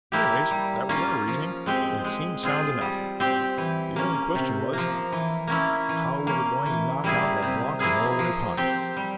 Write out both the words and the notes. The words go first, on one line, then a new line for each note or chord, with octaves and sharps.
Anyway, that was our reasoning, and it seemed sound enough; the only question was how we were going to knock out that block of Norway pine.
A#3 E4 G4
G3
A#3 C#4 F4
F3
G#3 C4 G4
G#3
C4 F4 G#4
G3
C4 G4
E3
A#3 C#4
C3
F3 A#3
E3
A#3 C#4 E4
E3
A#3 C#4
E3
G3 A#3 E4 G#4
C3
F3 A#3 E4 G#4
F3
C4 G4
G3